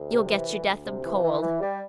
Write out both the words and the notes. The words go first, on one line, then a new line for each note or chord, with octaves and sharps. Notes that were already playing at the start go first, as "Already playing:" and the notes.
You'll get your death of cold.
Already playing: D2
C3
E3
D2
D2
C3
E3
E3
E3
G3